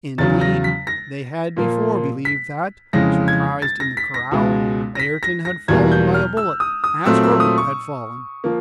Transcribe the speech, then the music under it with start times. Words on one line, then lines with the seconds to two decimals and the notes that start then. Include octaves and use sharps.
Indeed, they had before believed that, surprised in the corral, Ayrton had fallen by a bullet, as Herbert had fallen.
0.18 E2 C#3 F#3 A6
0.41 A#6
0.64 B6
0.87 A#6
1.57 A#2 F3 A#3
2.25 B6
2.93 F2 C#3 E3 G#3 A#6
3.28 G#6
3.62 A6
3.80 A#6
3.97 B6
4.14 A#6
4.31 C#2 B2 G#3
4.95 A#6
5.00 B6
5.23 A#6
5.45 A#6
5.68 E2 B2 G3 A#3 G#6
5.92 G6
6.14 F6
6.37 E6
6.60 D#6
6.84 D#6
7.06 A#2 F#3 A3 C4 E6
7.23 E6
7.40 D#6
7.58 C#6
8.44 F3 A#3